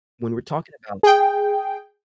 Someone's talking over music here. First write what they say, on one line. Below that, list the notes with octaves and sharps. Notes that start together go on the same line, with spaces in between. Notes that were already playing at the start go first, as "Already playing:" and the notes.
when we're talking about
G#4 G5